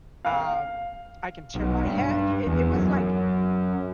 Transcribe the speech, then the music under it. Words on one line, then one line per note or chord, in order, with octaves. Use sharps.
Um, I can turn my hea y i it was like
F5
B1
G2
E2
F#2